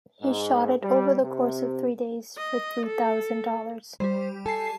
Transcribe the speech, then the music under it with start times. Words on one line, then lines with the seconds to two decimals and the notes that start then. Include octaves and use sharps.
He shot it over the course of three days for three thousand dollars.
0.21 G#2
0.83 G3
1.22 C3
2.37 D#5
2.86 A4
4.00 G3 G4 C5
4.46 A4 G#5 A5 C7